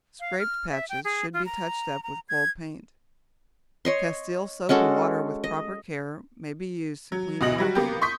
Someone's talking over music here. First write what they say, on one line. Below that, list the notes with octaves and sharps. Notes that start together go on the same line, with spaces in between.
Scraped patches should be touched up with gold paint. Castile soap and water, with proper care, may be used to clean oil paintings.
F5
F6
E5
G5
G#4
F4
A#5
A#5
G#6
C#5 D#5 C6
G#3 C#4 F#4 A4
D#5
F#3
D2 B2 F#4 D#5 A#6 F#7
F#3 G3 F#4
A#3 B3 G4
C6 C#6 D#6 G6 B6